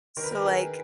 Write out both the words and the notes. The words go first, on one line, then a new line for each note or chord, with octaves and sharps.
So like
D#3 A#4
B4
A#4
G#4